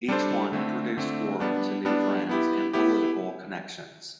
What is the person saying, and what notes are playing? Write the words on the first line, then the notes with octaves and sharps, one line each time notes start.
Each one introduced Warren to new friends and political connections.
G3 D4 A4 C5
D3 A3 C4
D3 A3 C4
G3 B3 D4
G3 B3 D4
B3 E4 G4
B3 E4 G4